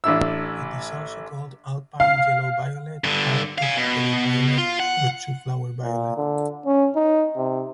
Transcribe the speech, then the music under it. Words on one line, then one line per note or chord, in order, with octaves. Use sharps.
It is also called alpine yellow-violet, arctic yellow violet, or twoflower violet.
A1 D4 E4 E6
F5
G2 D3
F5 G#5
B2
F4
F#5
A#2
D3
C#4
D#4
C3